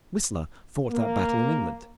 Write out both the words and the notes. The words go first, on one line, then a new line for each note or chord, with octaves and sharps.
Whistler fought that battle in England.
A#3